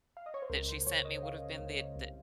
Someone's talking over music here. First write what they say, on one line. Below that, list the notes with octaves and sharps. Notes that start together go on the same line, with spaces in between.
that she sent me would have been the the
F5
D#5
C#5
C5
C#2 A#4
C5
C#3 C#5
D#5
C#3 F5
C#2
C2